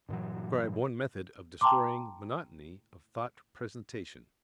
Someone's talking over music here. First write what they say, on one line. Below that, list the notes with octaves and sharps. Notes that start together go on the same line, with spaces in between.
Describe one method of destroying monotony of thought-presentation.
G2 A#2 E3 F#3
G5 A5 A#5 C6 D6